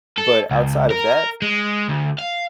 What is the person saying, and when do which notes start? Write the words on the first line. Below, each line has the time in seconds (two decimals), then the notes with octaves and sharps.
but outside of that,
0.18 A4
0.51 C#2
0.91 A#4
1.42 G#3
1.88 D2
2.18 F5